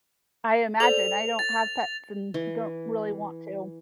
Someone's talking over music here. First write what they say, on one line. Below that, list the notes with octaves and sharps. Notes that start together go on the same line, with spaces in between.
I imagine, I don't have pets and don't really want to.
A4 C5 D5 F7
A6
E3